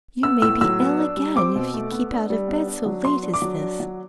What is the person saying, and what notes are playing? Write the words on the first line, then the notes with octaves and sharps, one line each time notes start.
You may be ill again if you keep out of bed so late as this.
B3 E6
A2 E6
F#3 E6
B3
D4
G3
C4 D6
B2
A3
B3
D4
G3
B3
D4
F#3
B3 C6
D4
D6
F#3
D4
F#3